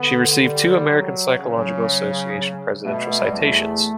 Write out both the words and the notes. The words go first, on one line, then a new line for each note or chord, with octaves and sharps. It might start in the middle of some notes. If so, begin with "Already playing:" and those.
She received two American Psychological Association Presidential Citations.
Already playing: D3 B3
G3
F#3
C#3 E3
F#3
F#3
F#3
B2 A3
A3
G3
E2 A3